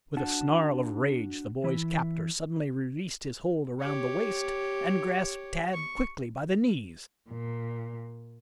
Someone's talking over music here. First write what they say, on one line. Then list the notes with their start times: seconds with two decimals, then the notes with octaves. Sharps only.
With a snarl of rage the boy's captor suddenly released his hold around the waist and grasped Tad quickly by the knees.
0.17 D4 F#4 F#5 A5
1.64 E3 E4
3.80 G4 C#5
5.74 C#6
7.28 A#2